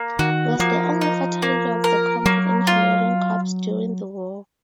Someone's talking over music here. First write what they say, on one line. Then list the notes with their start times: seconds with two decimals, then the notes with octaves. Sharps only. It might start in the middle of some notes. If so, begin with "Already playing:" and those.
He was the only fatality of the Combat Engineering Corps during the war.
Already playing: A#3
0.19 D#3 F#4
0.59 F3 A#3
1.01 D#4
1.42 A#3
1.84 A#4
2.26 F#3 A#3
2.67 F4